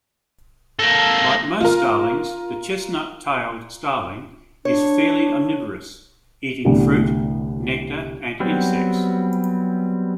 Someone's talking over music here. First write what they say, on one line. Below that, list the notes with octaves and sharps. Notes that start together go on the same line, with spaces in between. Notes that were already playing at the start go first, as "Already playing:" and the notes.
Like most starlings, the chestnut-tailed starling is fairly omnivorous, eating fruit, nectar and insects.
A#3 A4 A#6
F4 A#4
D4 C#5
C2 A2 D3 E3 G3 B3
F#3 G3 B3 C4